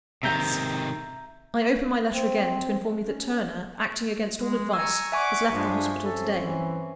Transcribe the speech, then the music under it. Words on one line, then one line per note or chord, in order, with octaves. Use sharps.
S.--I open my letter again, to inform you that Turner, acting against all advice, has left the hospital to-day.
C3 D#3 E5 A#5 G6
C4
G#3
C#4
G#3
G#5 A#5 C#6 E6
D5 E5 F#5 G#5 C#6 D6
G2 F3 G#3 D4
C4 C#4 A4
E3